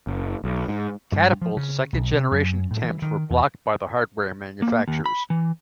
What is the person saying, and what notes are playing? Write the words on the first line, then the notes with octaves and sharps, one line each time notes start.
Catapult's second generation attempts were blocked by the hardware manufacturers.
F#1
B1
G#2
G2
F3
C#3
B1
C3
F#2
A2
E3
D#3
E2
A#3
D#2
B5
E3